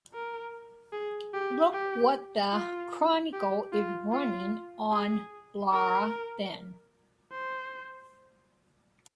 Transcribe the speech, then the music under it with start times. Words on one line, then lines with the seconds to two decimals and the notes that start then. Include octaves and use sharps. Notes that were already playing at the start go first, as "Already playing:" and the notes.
Look what the Chronicle is running on Laura Ben.
0.13 A#4
0.93 G#4
1.33 G4
1.72 G4
2.53 F4
3.33 G4
3.73 F4
4.12 F4
4.92 G#4
5.72 A#4
7.32 C5